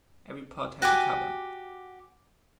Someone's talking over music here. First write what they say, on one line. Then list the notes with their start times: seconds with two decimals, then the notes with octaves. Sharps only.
Every pot has a cover.
0.82 F#4 G4 G#5 D6